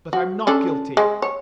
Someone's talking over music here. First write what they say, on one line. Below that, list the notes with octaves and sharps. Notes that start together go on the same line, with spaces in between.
But I'm not guilty.
F#4
C#4 D4 A4
G#3
C#5